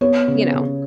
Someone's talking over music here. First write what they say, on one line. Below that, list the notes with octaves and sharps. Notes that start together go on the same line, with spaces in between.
you know.
B3 C#5
C#3
C#3